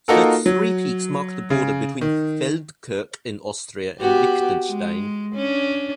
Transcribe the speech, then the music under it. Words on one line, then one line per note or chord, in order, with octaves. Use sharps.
The three peaks mark the border between Feldkirch in Austria and Liechtenstein.
A#3 D#4 F4 F#4 A4 A#4
F#3
C#3
D#3
B3 F#4 G4
G#3
C#4 D4